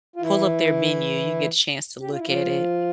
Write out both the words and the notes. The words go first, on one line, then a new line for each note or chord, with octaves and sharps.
pull up their menu. You get a chance to look at it,"
F4
E3 E4
G4
F4
E4
F3 F4